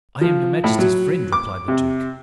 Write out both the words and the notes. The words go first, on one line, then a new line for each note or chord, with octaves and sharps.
"I am your majesty's friend," replied the duke.
F3
A2
F#3
D6
C3